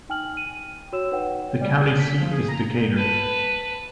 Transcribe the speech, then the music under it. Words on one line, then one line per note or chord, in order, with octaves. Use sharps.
The county seat is Decatur.
D#4 G5 G#5 F6 F#7
G5 D#7
F#4 C#5 E6 E7
D#4 B4 C#5 F#5 G5
G3
G#4
B6
F3
G#4
A#5
B4 A5